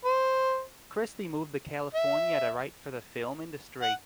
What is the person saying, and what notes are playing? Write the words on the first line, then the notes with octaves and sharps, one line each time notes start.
Christie moved to California to write for the film industry.
C5
E5
F#5